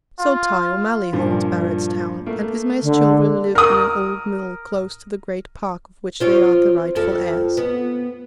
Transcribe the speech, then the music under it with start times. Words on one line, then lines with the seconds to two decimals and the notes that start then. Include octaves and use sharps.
So Tighe O'Malley holds Barrettstown, and Ismay's children live in an old mill close to the great park of which they are the rightful heirs.
0.19 F4
1.13 G2 A#2 F3
2.26 A3 A#3
2.83 D3
3.55 A#4 D#6
6.20 C4 F4 C#5
6.96 F2 F3 A4
7.57 B3